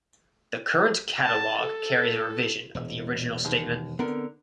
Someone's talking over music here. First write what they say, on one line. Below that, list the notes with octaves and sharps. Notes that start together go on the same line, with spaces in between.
The current catalog carries a revision of the original statement.
A5
A4
E1
D#2
D3 B3 C4 A#4